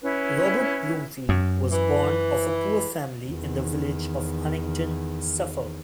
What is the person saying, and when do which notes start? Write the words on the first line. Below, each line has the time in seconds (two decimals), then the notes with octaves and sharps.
Robert Bloomfield was born of a poor family in the village of Honington, Suffolk.
0.02 C#4 E4 B4
1.29 F#2
1.71 E3
3.24 E2 D#3